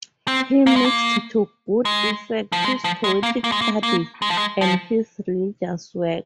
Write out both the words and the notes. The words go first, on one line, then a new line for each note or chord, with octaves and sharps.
He mixed to good effect his poetic studies and his religious work.
C4
A#3
G#3
A#3
G#3
F3
G#3
F3
G#3
A#3
A#3
G#3
A#3
A#3
G#3
F3
G#3
F3